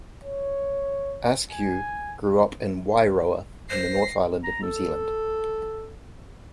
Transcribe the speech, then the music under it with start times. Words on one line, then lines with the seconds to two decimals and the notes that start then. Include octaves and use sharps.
Askew grew up in Wairoa in the North Island of New Zealand.
0.23 C#5
1.51 G#5
3.70 C5 A#6 C7
4.44 A#5
4.63 A4